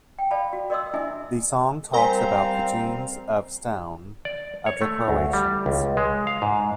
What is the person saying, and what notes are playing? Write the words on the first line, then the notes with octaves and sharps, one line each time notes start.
The song talks about the "genes of stone" of the Croatians.
G5
D5 F5 A5 B5
F#4
A#4 D5 D#5 C6 D#6 E6
D4 E4 D#5 E5 G#5
G3 C4 A#4 C5 F5 G#5 A#5 B6
D5
C#5
A3
D2
G3
C#2
G#3
F5
G#2